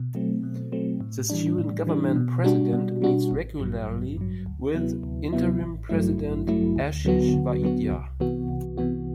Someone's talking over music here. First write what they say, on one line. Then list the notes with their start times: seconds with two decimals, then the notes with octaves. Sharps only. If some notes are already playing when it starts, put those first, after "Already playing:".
The Student Government president meets regularly with Interim President Ashish Vaidya.
Already playing: B2
0.15 F#3 A3 C4
0.43 B2
0.72 F#3 A3 C4
1.01 A2
1.30 E3 G3 D4
1.58 A2
1.87 E3 G3 D4
2.16 B2
2.44 G3 D4 F#4
2.73 B2
3.02 G3 D4 F#4
3.31 A1
3.60 G2 F#3
3.88 A1
4.17 G2 F#3
4.46 D2
4.75 C3 F#3 B3 E4
5.03 D2
5.33 C3 F#3 B3 E4
5.61 A1
5.89 G2 F#3 A3 E4
6.18 A1
6.48 G2 F#3 A3 E4
6.76 D2
7.05 D3 F#3 B3 F#4
7.34 D2
7.62 D3 F#3 B3 F#4
7.91 C2
8.20 C3 E3 B3 F#4
8.49 C2
8.77 C3 E3 B3 F#4